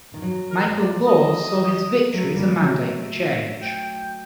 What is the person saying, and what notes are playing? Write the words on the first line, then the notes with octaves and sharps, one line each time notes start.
Michael Laws saw his victory as a mandate for change.
D#3
F#3
A#4
D5
D#5
F#3 A3
G3 A#3
F#3 A3
G5